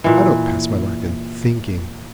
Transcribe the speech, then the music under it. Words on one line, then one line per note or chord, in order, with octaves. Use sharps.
"I don't pass my life in thinking."
A#2 E3